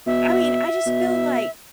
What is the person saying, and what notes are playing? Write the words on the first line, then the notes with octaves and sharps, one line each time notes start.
I mean, I just feel like
B2 E5
B2